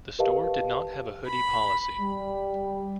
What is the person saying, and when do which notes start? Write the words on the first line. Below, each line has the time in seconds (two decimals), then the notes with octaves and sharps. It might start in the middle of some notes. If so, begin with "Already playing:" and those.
The store did not have a hoodie policy.
0.19 G4 A#4 B4 D#5 F5 A5
1.25 B5
2.00 G3